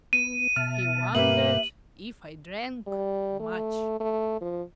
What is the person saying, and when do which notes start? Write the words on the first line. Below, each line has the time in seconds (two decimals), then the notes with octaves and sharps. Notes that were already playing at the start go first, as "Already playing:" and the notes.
He wondered if I drank much.
0.13 B3 D#7
0.56 B2 E5 A5 F6
1.15 G2 B2 A#3 G4 B4 E5 F#7
2.87 G3
3.40 A3
4.00 A3
4.41 F3